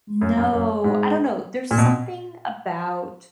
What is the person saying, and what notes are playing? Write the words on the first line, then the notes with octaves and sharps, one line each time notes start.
No, I don't know, there's something about
F#2
F#2
F#2
G#2
A#2
B2